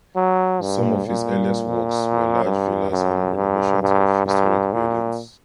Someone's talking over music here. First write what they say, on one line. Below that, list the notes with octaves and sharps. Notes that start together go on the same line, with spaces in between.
Some of his earliest works were large villas and renovations of historical buildings.
F#3
G2
A#2
G2
F#2
G2
G2
G2
A#2